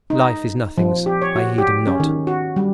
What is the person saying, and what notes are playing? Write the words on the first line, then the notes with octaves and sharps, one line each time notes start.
Life is nothings; I heed him not.
D#4
F3
G4
C#5
F#4
G4
C#4
D#3
F#4
G3